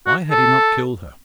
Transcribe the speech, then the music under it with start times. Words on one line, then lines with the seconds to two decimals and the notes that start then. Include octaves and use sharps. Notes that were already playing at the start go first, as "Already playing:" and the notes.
Why had he not killed her?
0.07 F#4
0.31 A4